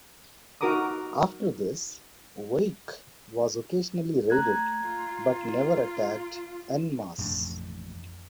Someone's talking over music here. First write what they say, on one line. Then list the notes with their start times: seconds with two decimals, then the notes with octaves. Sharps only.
After this, Wake was occasionally raided but never attacked "en masse".
0.61 D#4 F#4 A#4 A#5 D6 D#6
4.30 A3 A#5 F#6 G#6
4.84 F4
7.18 A1 F2 A3 D4